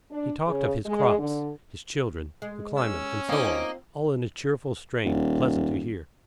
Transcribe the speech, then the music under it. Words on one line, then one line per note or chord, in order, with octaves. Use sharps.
He talked of his crops, his children, the climate, and so on, all in a cheerful strain, pleasant to hear.
D4
C#3
G#3
D3
G#3
C#4 E6
A#3 C4 D#4 F4 D#5
D#1